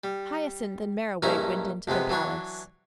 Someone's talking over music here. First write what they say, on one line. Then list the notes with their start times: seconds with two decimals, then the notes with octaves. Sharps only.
Hyacinth and Merriwig went into the Palace.
0.04 G3
1.22 A#1 G2 C#4 D#4 E4 A#5
1.88 F2 C3 G#3 B3
2.09 E3 F#3 D4 C#5